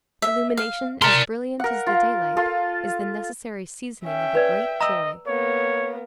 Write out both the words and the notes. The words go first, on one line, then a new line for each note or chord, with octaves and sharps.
Illumination as brilliant as the daylight is the necessary seasoning of a great joy.
E5
F5
A#4 D5 C6
A#4 F#5
F4
F4 A4
C#4 E5 G5
B4 D5
D#5 A#5 E6
A#3 B3 C#5